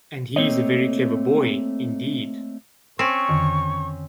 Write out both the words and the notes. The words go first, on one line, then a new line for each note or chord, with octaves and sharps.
And he is a very clever boy, indeed.
A3 A#3 C4 C#5 D#5
C4 C#4 C#6
F2 D3 D#3